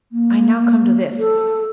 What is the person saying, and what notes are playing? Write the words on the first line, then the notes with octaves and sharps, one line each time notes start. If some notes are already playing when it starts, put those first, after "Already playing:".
'I now come to this.
A#3
A4